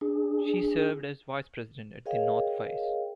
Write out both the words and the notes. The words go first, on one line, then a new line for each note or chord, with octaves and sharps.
She served as vice president at The North Face.
D4 G#4
G#4 A#4 C#5 D#5 F5 G5